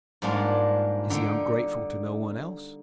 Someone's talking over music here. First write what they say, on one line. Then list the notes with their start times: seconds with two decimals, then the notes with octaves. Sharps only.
"Is he ungrateful to no one else?"
0.22 G#2 G3 G#3 A#3 D4 F4
1.10 D3 D#4 G5